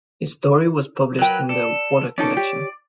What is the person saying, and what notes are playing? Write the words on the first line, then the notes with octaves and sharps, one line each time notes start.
His story was published in the "Water" collection.
F#3 A#4 B4 G5
A4 D5
C#4 D#4 A4 D5
G4 C#5